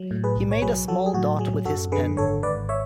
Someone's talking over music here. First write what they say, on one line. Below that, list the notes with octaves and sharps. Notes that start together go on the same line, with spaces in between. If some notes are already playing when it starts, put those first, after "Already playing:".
He made a small dot with his pen.
Already playing: F#3
A2
G#4 B4
B1
C#5
F#3 G#4 B4
F#3 F#4 A4
G#4
A2 F#4
F#3 G#4
F#2 F#4 A4
D3 G#4 B4
G#1 A4 C#5
G#1 B4 D5
C#5 E5